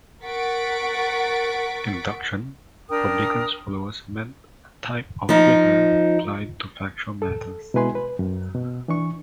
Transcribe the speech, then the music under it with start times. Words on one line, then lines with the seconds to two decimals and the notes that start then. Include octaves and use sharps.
Induction, for Bacon's followers, meant a type of rigour applied to factual matters.
0.23 A#4 F#5 C#6 A6 B6 D7
2.89 D4 A#4 G5 D#6
5.29 F3 D#4
7.22 A4
7.74 B2 G#3 E4 B4 G#5 C6
7.95 B4
8.19 F#2
8.55 B2
8.88 E3 D4 C#6